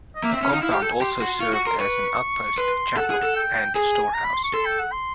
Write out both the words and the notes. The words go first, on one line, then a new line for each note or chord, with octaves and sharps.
The compound also served as an outpost, chapel, and storehouse.
D#5
A#3 E5
C4
E5
C#4
D#4 F5
E4 F5
G4 F5
A4 G5
G#5
G4 C6
F#4
F4 C#6
F#4 C#6
A#4 C6
B4 C#6
B4 C6
A4 F#5
G#4
A4
G5
G#4 G#5
A#5
B5
C6
C#6
A4 C6
G5
F#5
C6